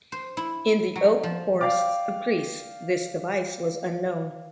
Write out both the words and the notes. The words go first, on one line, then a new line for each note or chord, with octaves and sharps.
In the oak forests of Greece this device was unknown.
C5
E4
F#3
F3
D5 F5 G5 D6